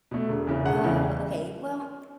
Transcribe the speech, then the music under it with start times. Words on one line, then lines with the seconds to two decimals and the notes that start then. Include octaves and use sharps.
Oh, okay. Well,
0.11 B2 A3
0.29 E1
0.47 E2 C#3 E3
0.65 E1 F#5
0.84 E2 C#3 E3